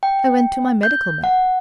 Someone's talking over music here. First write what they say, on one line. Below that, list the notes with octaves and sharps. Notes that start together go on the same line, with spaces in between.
I went to my medical man.
G5
G6
F#5